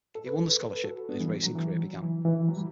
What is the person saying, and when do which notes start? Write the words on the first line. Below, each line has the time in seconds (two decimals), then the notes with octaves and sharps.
He won the scholarship and his racing career began.
0.15 A4
0.26 B4
0.37 A4
0.49 B4
0.61 A4
0.72 B4
0.84 F#4 A4
1.09 B3 D4
1.20 E3 G3
1.32 F#3
1.43 F#3
1.55 E3
1.79 F#3
2.02 E3
2.25 E3
2.48 F#3
2.57 G3